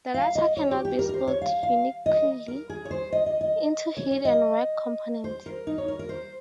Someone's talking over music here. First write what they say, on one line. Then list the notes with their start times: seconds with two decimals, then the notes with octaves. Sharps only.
The latter cannot be split uniquely into heat and work components.
0.14 F5
0.35 D#5
0.57 C#5
0.71 G4
0.85 G4
0.99 A#4
1.09 A#4
1.14 C5
1.27 C#5
1.41 F5
1.63 F5
2.06 D#5
2.48 A#4
2.70 G#4
2.85 C#5
2.91 C5
3.12 D#5
3.26 D#5
3.41 D#5
3.97 C#5
4.11 C#5
4.25 D#5
5.24 C5
5.46 A#4
5.67 D#4
5.78 C#5
5.88 A#4
5.99 A#4
6.09 C5